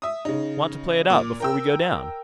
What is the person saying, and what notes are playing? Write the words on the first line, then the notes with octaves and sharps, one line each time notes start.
"Want to play it out, before we go down?"
E5 D#6
C#3 D#4
A#2 D6
A#4 G5 E6